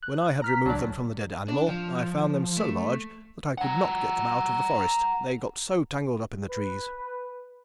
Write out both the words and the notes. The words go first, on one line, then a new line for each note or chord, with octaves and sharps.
When I had removed them from the dead animal, I found them so large that I could not get them out of the forest, they got so tangled up in the trees.
F#6
A#5 F6 B6
C#2 F#3 D4 D5 A5
D4
F3
A3
F#5 A#5
B4